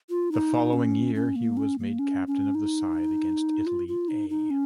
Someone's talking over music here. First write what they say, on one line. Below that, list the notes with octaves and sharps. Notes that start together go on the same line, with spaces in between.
The following year he was made Captain of the side against Italy A.
F4
D#4
C#4
C#4
A#3
C#4
A#3
C#4
C#4
D#4
F4
F4
D#4
D#4
C#4